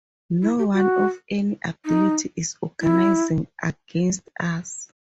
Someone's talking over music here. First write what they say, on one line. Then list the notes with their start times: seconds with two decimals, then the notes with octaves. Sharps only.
No one of any ability is organising against us.
0.42 E4
0.59 G4
0.74 F#4
1.86 D#4
2.82 E4